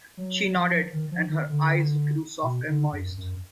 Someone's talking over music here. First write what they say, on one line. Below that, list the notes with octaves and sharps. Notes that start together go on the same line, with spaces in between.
She nodded, and her eyes grew soft and moist.
F#3
F3
D#3
F3
D#3
D3
B2
D3
F#2
F#2